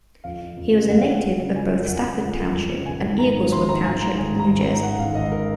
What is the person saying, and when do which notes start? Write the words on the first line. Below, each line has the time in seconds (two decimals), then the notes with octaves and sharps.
He was a native of both Stafford Township and Eagleswood Township, New Jersey.
0.24 F2 F5
0.41 F3
0.57 F2
0.73 C#3
0.89 F2 F#5
0.97 F5
1.04 F3 F#5
1.23 F2
1.39 C#3
1.55 F2 G#5
1.71 F3
1.88 F2 F#5
1.96 G#5
2.03 C#3 F#5
2.21 F2
2.37 F3
2.54 F2
2.70 C#3
2.86 G#1 G#5
3.03 D#3
3.19 G#1 A#5
3.35 G#2
3.52 G#1 C6
3.68 D#3 A#5
3.84 G#1 G#5
4.01 G#2 A#5
4.17 G#1 G#5
4.33 D#3
4.39 A#5
4.50 G#1
4.61 G#2 A#5
4.83 G#1 F#5
4.99 D#3 F5
5.15 G#1 D#5
5.32 A#4